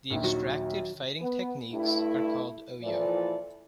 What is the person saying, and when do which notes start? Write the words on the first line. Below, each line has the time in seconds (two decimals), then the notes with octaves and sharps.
The extracted fighting techniques are called "Oyo".
0.10 A#1 D#2
0.24 D#3 F#3 F#4
1.20 B3 B4
1.71 G2 A3 E4
2.82 A#2 E3 F3 E4 A4 D5